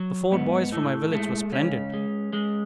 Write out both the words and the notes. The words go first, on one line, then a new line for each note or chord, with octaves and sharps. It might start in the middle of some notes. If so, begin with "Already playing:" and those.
The four boys from my village were splendid.
Already playing: F#3
G#2 B3
A2 A3
G#3 A3
C#2 C#4
G#3
G#3